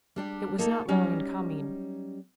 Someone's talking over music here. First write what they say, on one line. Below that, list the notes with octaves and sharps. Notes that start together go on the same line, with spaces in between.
It was not long in coming.
G3 D4 G4
A#3 D#4 F4 A4
F#3 G3 C#4 D#4